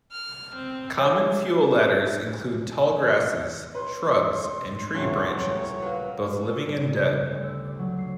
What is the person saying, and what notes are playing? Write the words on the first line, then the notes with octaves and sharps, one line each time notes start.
Common fuel ladders include tall grasses, shrubs, and tree branches, both living and dead.
F6
C4
C#5 E5
B4 C#5 C6
D#1 C#2 F#2 E3 A3 C#5
F#3 A#3 B4
E6
G1
C#3
A3
D5
D2
E6
D5
F#3
C7